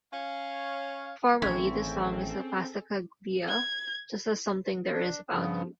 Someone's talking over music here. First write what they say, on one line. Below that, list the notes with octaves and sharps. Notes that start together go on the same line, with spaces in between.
Formally this song is a passacaglia, just as "Something There Is About You".
C#4 C#5 F5
A1 D#3 C4 C#4 G#4 A4 G#5
G#6
D4
G2 C#3 F3 B3